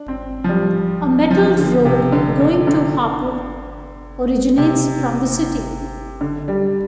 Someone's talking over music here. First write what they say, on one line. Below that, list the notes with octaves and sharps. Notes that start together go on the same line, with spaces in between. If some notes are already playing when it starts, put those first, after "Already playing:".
A metalled road, going to Hapur, originates from the city.
Already playing: D4
C4
F3
G3
F3
D3
C3
D3
D3
D3
C3
D3
G3